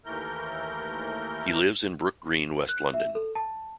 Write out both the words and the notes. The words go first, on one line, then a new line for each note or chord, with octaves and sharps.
He lives in Brook Green, West London.
D#2 E3 A3 A#4 G6
F#6
E5
A4
A5